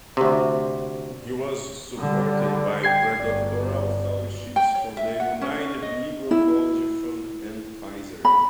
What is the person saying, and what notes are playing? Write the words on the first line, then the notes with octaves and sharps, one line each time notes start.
He was supported by predoctoral fellowships from the United Negro College Fund and Pfizer.
D2 C3
D3 G3
G5 G#6 C7
G1 D5
G5
C#5
E5
F#5
C#4
D#5
E4
B5